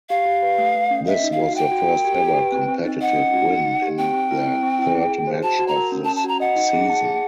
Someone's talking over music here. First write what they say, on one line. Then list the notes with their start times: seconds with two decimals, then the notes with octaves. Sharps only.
This was their first ever competitive win in their third match of this season.
0.09 G4 F5
0.26 G4
0.42 B4
0.58 A3
0.75 A3
0.91 C#4
1.07 D#5 E5
1.23 D#4
1.32 F5
1.39 F#4
1.55 F#5 G5
1.72 F#4
1.88 A#4
2.05 G4
2.20 G4
2.36 B4
2.52 C4
2.68 C4
2.85 D#4
3.01 D#5 F#5
3.17 C#4
3.34 F#4
3.49 D#4
3.65 D#4
3.82 G4
3.98 C4 G5
4.14 C4
4.31 E4
4.47 C4
4.63 C4
4.79 E4
4.95 G#4
5.11 G#4
5.27 C5
5.43 F#4 A5
5.59 F#4
5.68 A#5
5.76 A#4
5.92 C#4
6.05 A5
6.08 C#4
6.16 A5
6.24 F#4 A#5
6.40 D#5 F#5
6.56 D#4
6.73 G#4
6.90 A5
7.05 G#4